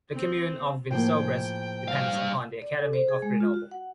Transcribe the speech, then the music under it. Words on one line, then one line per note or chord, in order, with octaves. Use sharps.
The commune of Vinsobres depends upon the academy of Grenoble.
C4
A2 F3 A#3 G#4 C5 G5
G2 F5
D5
A4
C5
G#4
G#3
F4
F#4
F#5